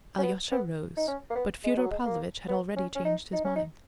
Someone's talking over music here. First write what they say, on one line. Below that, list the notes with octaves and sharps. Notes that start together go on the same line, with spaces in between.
Alyosha rose, but Fyodor Pavlovitch had already changed his mind.
C#4
B3
B3
D#4
C#4
A#3
B3
G#3
F#3
G#3
A#3
B3
C#4
C#4
D#4
D#4
C#4
D#4